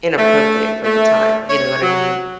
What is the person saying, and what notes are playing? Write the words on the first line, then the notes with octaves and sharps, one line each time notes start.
inappropriate for the time. You know what I mean?
A3
A3
C#5
F#3